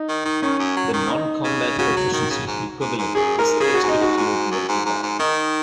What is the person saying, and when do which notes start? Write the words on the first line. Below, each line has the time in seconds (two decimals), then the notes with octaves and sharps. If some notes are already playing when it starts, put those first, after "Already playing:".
The non-combat proficiency equivalent is the Expert Field Medical Badge.
Already playing: D#4
0.09 D#3
0.25 D#3
0.42 D#3 C#4
0.59 F#2
0.77 F#3
0.93 D#3
1.11 D#4
1.44 C#3
1.78 C#3 F#4
1.96 F#3
2.13 D#3
2.30 C#3
2.47 G#2
2.81 G#2
2.98 G#2
3.15 F#2 G#4
3.38 G#2 A#4
3.60 C#3 G#4
3.74 F#4
3.83 G#2 D#4
4.01 F#4
4.17 G#2
4.51 F#2
4.69 G#2
4.86 G#2
5.03 G#2
5.19 D#3 D#4